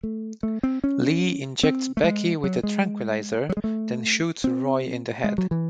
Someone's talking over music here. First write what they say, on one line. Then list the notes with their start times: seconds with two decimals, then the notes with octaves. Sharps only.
Lee injects Becky with a tranquilizer then shoots Roy in the head.
0.03 A3
0.43 A3
0.63 C4
0.84 C#4
1.63 C4
1.97 A3
2.04 G#3
2.44 F#3
2.63 G#3
3.49 F#3
3.57 G#3
3.64 A3
4.44 C4
5.24 G#3
5.38 F#3
5.51 E3